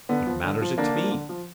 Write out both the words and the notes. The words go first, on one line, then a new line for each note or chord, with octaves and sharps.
What matters it to me?
D3 B3
F3
D3
F3
D3 A#3 D4
F3
D3
F3